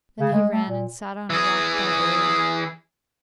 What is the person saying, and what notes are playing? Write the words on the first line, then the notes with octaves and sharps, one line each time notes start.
Then he ran and sat on a rock by Olaf.
C#3
G#3
A3
A#2
E3 G#4